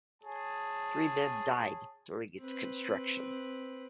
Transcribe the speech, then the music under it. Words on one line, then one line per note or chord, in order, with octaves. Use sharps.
Three men died during its construction.
G#4 C#5 A5
C4 B4